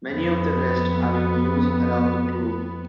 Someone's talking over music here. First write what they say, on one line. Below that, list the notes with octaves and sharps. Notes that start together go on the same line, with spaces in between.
Many of the rest are in use around the globe.
F2 B3